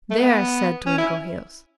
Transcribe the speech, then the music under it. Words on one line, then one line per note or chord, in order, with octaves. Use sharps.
"There!" said Twinkleheels.
A3
B3
C#4
E4